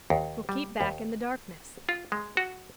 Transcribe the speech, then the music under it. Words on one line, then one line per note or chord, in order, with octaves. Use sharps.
We'll keep back in the darkness.
D#2
G3
D#2
F4
G#3
F#4